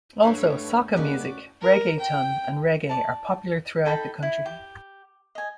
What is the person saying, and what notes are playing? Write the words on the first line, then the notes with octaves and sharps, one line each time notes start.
Also, soca music, reggaeton and reggae are popular throughout the country.
G2 D3 G3 A3 E4 B4 C#5
C#3 A#3 C#4 D#4 F#4 B4 D5
A#4
G5
D5 A5
D#4 A4 G5 B5
E4
G4
D#5 G#5